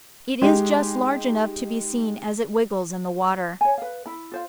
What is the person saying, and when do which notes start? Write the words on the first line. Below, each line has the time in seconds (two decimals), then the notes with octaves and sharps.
It is just large enough to be seen as it wriggles in the water.
0.42 G#3 D#4 G4
3.61 C#5 G#5
3.78 B4 F5
4.06 E4 B5
4.32 F4 C5 F5